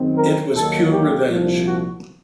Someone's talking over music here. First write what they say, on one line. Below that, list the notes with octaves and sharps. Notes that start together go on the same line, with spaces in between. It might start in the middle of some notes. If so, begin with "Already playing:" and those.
It was pure revenge.
Already playing: F#2 D#3 G#3 C4
A#4
D#2 D#3 F#3 A#3 A4
G4
C2 A#2 F3
F#4